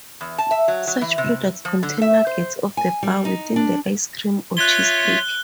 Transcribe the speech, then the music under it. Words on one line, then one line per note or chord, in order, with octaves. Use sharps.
Such products contain nuggets of the bar within the ice cream or cheesecake.
E2
A5
E5
F#3
F#3
E3
C3
F3
D3
E5
C5
G#5
G3
D#4
D4
F4 C#5 E5 F#6 G7